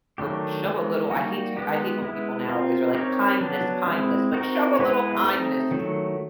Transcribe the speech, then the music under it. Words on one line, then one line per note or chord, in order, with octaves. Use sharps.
or p show a little I hate to u I hate when people nowadays are like, "Kindness, kindness," but show a little kindness, dude!
D#3 F#3 A3 D4 G4
E3 G#3 B3
G3 A#3 D#4 F#4
G#3 B3 D#4 G4
G#3 B3 E4
C4 F4 A#4
C4 D#4 G4 A#4 C#5
F#3 B3 D4
G#3 C4 E4
C4 D#4 F#4 A#4
G#3 B3 E4 G#4 B4
A3 C4 D#4
D#3 F#3 A3